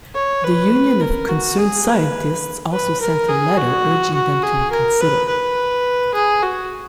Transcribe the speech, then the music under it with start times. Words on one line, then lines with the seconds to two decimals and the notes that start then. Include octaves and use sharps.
The Union of Concerned Scientists also sent a letter urging them to reconsider.
0.14 C#5
0.43 B4
1.00 A#4
1.29 F#4
1.58 G#4
1.86 B4
2.72 B4
3.01 A#4
3.29 G#4
3.57 F#4
4.14 F#4
4.43 G#4
4.71 A#4
5.00 B4
5.28 B4
6.14 G#4
6.43 F#4